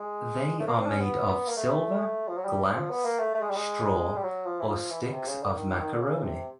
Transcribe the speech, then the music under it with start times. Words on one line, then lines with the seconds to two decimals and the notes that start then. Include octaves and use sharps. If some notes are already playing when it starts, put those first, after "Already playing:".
They are made of silver, glass, straw, or sticks of macaroni.
Already playing: G#3
0.59 A3
0.67 A#3
0.78 C4
0.85 D4
0.90 C#4
1.01 B3
1.47 A#3
1.57 A3
2.28 F3
2.37 F#3
2.45 G3
2.75 F3
2.90 B3
3.05 A#3
3.19 A3
3.34 A3
3.42 G#3
3.49 G3
3.55 G#3
4.16 G3
4.23 F#3
4.46 F3
4.59 E3
4.67 F3
4.90 E3
5.02 B2
5.12 C3
5.27 C#3
5.42 D3
5.56 D#3
5.79 D#3
5.93 D3
6.01 C#3
6.24 C3